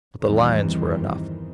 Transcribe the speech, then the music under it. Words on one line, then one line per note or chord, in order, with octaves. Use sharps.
But the lines were enough.
G1 E2 D#3 E3 G3 C4